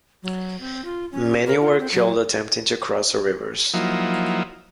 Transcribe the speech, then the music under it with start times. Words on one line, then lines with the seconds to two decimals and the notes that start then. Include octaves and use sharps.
Many were killed attempting to cross the rivers.
0.23 F#3
0.60 C4
0.85 F4
1.12 C#4
1.46 A#4
1.61 F4
1.80 C4
1.93 F#3
3.74 F3 F#3 A#3 D#4 E4